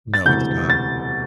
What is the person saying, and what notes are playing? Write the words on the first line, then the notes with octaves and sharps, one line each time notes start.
No, it's not.
A6
E1 D2 C3 E3 G6
A6